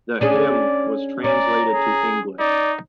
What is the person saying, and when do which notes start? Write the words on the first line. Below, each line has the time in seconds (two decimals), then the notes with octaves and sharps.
The hymn was translated to English.
0.21 C#4 D4 G#4 D5
1.24 C#4 D5 A#5
1.74 G#4
2.39 D#4 D5